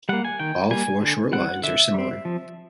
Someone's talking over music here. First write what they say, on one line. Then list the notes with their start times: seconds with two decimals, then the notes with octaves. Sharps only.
All four short lines are similar.
0.09 G3 A#3 F#5
0.25 G#5
0.40 D#3 G5
0.71 G3 A#3 G#5
1.02 D3
1.32 G3 C4 F#5
1.63 D3 E5
1.94 G3 C4
2.25 F3